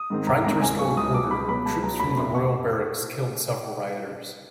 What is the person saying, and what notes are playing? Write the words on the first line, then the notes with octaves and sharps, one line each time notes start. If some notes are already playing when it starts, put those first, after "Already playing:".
Trying to restore order, troops from the Royal Barracks killed several rioters.
Already playing: D#6
G#2 D#3 G#3 C4
G#1 A#5
G#2 D#3 G#3 C4 A#5
C#2 G#5
B2 F#3 B3 C#6
C#2 D#6
B2 F#3 B3 D6
C#2 B5
B2 F#3 B3 B5
C#2 A5
B2 F#3 B3 A#5
F1 B5
E2 C3 C6
F1 C#6